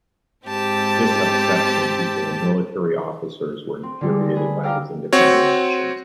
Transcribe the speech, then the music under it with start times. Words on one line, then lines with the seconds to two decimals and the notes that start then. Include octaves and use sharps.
This upset some people and military officers were infuriated by his independent actions.
0.45 G#2 C4 G4 A5
3.83 C4
4.01 D3 G3 G#3
4.35 G#4 B4
4.63 F5 G5 A#5 D6 E6 F6
5.13 C4 F#4 C#5